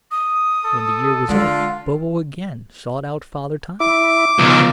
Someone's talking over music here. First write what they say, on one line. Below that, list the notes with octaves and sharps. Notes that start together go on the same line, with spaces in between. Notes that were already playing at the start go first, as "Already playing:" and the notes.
When the year was up, Bobo again sought out Father Time.
D#6
A4
D3 G#3 F4
E4 D6
C#2 B2 D#3 F3